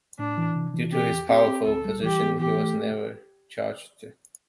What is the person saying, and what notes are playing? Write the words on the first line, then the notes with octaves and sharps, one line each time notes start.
Due to his powerful position, he was never charged.
A2 D4
E3
C3
E3
C4 G4
E2
C4 G4
C4
D2 A4
G3
E3 G4
B3
E3 G4
A3